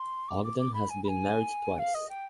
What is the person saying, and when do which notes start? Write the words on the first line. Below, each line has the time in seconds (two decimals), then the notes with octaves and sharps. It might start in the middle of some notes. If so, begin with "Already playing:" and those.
Ogden has been married twice.
Already playing: C6
0.29 D6
0.44 D6
0.59 D6
0.74 B5
0.90 G#5
1.04 B5
1.08 G#5
1.78 F5
1.94 D#5
2.09 G5